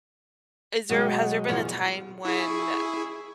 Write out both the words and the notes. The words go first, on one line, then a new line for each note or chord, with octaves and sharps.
is there has there been a time when, uh,
B2 F#3 G#3 F#4 G5
E2 B2 F3 B3
E4 G#4 C#6